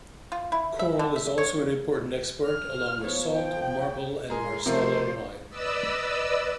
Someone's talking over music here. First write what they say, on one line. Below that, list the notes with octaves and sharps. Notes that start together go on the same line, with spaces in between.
Coral is also an important export, along with salt, marble, and marsala wine.
F4
E4
E5
D3
E5
C#5
F6
F3 B3 C#5
G5
G#3 G#4 A#4 C6
C3 F3 A3 A#4 C5
B4 D5 D#5 E6